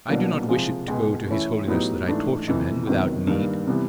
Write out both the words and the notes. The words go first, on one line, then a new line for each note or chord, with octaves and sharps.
I do not wish it to go to his holiness that I torture men without need.
C2 B2 F#3 A#3 D4
C3 F3 G#3
C#2 B2 G#3
E3 A3 C#4 E4 A4
A2 F#3 B3 D#4 G4
G#2 E3 A3 D4
F2 C3 E3
C#2 C3 D#3 F#3 B3
G2 D#3 G3 A#3
C3 E3 G3 B3